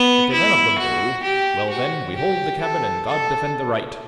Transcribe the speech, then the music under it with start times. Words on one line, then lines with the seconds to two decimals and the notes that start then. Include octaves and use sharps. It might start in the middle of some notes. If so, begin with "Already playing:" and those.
If they none of them go, well then, we hold the cabin, and God defend the right.
Already playing: B3
0.32 E4
0.79 F#4
1.23 G4
1.70 F#4
2.16 G4
2.61 A4
3.06 A4